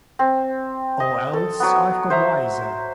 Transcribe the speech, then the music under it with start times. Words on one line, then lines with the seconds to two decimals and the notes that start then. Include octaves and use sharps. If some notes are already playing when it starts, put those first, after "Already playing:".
Or else I’ve got wiser.
0.19 C4
1.00 D#5
1.33 A4
1.60 F#3 B3
2.10 C5 E5 A#5